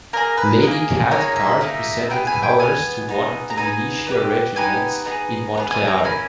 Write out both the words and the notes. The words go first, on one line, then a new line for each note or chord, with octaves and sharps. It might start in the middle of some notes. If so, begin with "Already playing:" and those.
Lady Cathcart presented colours to one of the militia regiments in Montreal.
A#3 D#4 G#4 A#4
B4
A#3 D#4 G#4
A#3 D#4 G#4 C#5
E5
A#3 D#4 G#4
B3 E4 G#4 G5
G#5
G5
B3 E4 G#4 G#5
B3 D#4 G#4
A#5
B3 D#4 G#4 G#5
B3 D#4 G4
B3 D#4 G4 G#5
B3 D#4 G#4
B3 D#4 G#4
G#5
A#5
A#3 C#4 E4 G#5